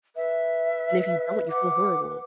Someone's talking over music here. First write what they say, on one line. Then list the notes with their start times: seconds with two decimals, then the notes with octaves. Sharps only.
And if you don't, you feel horrible.
0.16 B4 E5
1.50 F#5 D6